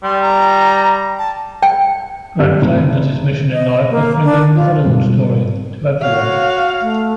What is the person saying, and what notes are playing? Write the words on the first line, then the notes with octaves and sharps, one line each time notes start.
Grant claimed that his mission in life was bringing the Hollywood story to everyone.
G3 C6
A#5
A5
G5
G2
F1
D#5
A#3
D4
F4
G#2 B2 G3 C4
F#4 C#5 F5
A3